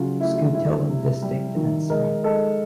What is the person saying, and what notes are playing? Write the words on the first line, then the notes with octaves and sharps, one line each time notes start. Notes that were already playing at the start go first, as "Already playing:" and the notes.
Scutellum distinct and small.
Already playing: C#3 F#3 F4
A3 E4
E4
G3 E4
C3
G3
D#3
G#3 A#4
G#3 A4